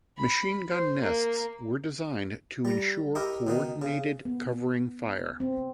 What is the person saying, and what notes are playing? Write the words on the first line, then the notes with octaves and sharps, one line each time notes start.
Machine gun nests were designed to ensure coordinated covering fire.
B5
C5
A#3
G3 A#5
D#4 E4 G4 A#4
B2 D#3 D#4
C#3
B3
C4